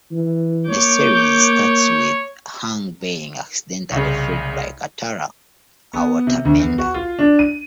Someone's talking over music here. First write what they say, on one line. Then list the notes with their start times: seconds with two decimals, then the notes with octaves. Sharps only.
The series starts with Aang being accidentally freed by Katara, a waterbender.
0.11 E3
0.70 A#3 C#5 D6 G6
3.91 C2 C#3
5.93 B3
6.27 C3
6.45 D2
6.60 E2
6.78 F#4
6.94 F4
7.19 D4
7.39 D#7